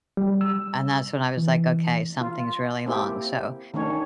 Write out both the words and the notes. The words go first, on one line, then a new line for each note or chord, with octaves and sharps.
And that's when I was like, "Okay, something's really long," so
G3
E6
E3
F4
A#3 C4 E4 G4
D#3 A3 C#4 D4 C#5